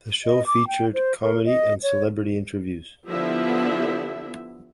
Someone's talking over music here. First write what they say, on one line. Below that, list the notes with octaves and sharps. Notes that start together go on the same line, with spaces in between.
The show featured comedy and celebrity interviews.
D#5
D6
G5
C5
A#4
D#5
C#5
D3 F3 B3 E4 G4 E5